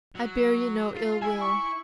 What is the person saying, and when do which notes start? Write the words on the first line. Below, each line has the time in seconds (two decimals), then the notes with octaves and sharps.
I bear you no ill-will.
0.15 F#3
0.96 F4
1.22 E4 E5 G#5
1.41 C#6